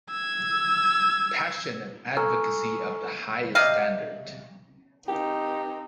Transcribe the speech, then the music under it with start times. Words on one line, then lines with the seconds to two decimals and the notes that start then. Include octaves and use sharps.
Passionate advocacy of the highest standard.
0.11 E6 G#6
2.17 A4 G#5 A#5 C#6 E6 F6
3.55 C3 D5 D#5 F5
5.08 C4 D#4 G4